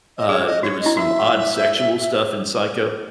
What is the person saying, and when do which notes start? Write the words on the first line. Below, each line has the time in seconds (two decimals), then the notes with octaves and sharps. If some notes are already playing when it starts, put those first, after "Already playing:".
uh, there was some odd sexual stuff in Psycho,
0.17 D#5
0.28 G#4 C#5
0.46 D#5
0.63 F#4 C#5
0.80 D#5
0.86 E4
0.97 F#4 E5